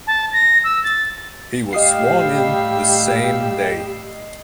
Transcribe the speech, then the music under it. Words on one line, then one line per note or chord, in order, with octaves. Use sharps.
He was sworn in the same day.
A5
A#6
E6
A6
A2 G3 G4 D#5 F5 D#6 E6 C7